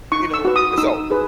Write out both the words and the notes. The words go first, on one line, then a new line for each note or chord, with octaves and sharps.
you know, and so,
D#4 C#6
E6
F#4 B4
D#6
D#4 E6
G#4 B4